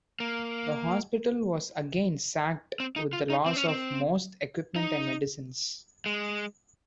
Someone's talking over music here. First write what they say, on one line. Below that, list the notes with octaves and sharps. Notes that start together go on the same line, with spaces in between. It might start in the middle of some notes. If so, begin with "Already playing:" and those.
The hospital was again sacked with the loss of most equipment and medicines.
A#3
C4
D#4
F4
D#4
C4
C#4
C4
D#4
G#3